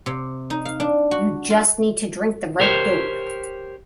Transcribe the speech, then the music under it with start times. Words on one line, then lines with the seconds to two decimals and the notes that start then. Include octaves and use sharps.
You just need to drink the right dope.
0.06 C3
0.50 D#4
0.65 F5
0.80 D4
1.11 F#4
1.50 F4
2.60 G4 A#4 C5 C#5